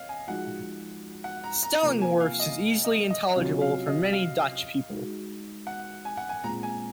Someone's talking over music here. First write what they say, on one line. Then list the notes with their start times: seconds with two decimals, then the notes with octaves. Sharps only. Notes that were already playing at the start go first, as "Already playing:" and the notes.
Stellingwarfs is easily intelligible for many Dutch people.
Already playing: C#5 D#5 F5
0.09 G#5
0.27 F3 G#3 D#4 F#4 F#5
1.24 F#5
1.44 A#5
1.63 A#5
1.82 C3 F3 A#3 F4 A#4 A#5
2.02 G#5
2.20 F5
2.40 D#5
2.85 D#5
3.10 D#5
3.36 C3 F#3 C#4 F4 F5
3.61 F5
3.87 D#5
4.13 F5
4.90 G#3 D#4 F#4
5.67 F#5
6.05 G#5
6.17 F#5
6.29 G#5
6.44 A#2 G#3 C4 F4 A#5
6.63 G#5